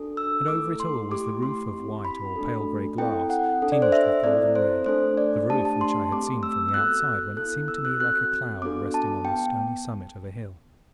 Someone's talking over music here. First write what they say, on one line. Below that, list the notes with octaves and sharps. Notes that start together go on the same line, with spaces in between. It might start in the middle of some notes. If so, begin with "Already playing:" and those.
And over it all was the roof of white or pale gray glass tinged with golden-red--the roof which I had seen from the outside when it seemed to me like a cloud resting on the stony summit of a hill.
Already playing: D4 F#4 A4
E6
A3 E4 A4 D6
C6
A3 E4 G4 D6
C6
C4 E4 G4
B5
A3 D4 F#4 A4
C4 E4 A4 G5
F#5
D4 A4
D5
C5
E5
C4 E4 A4 D5
C5
A3 D4 A4 C5
D5
A3 D4 G4 A5
A5
C6
A3 C4 G4 D6
E6
E6
B3 F#4 A4 F#6
B3 E4 A4 F#6
E6
F#6
C4 F#4 A4 F#6
B3 D4 F#4 A4 D6
A5
B3 G5